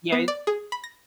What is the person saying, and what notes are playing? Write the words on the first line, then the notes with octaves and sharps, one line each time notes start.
Yeah, i
B3
D5
G#4
B5
A#6